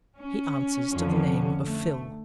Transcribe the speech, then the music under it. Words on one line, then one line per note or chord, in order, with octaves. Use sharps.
He answers to the name of Phil.
C#4
F2 D3 F3
A3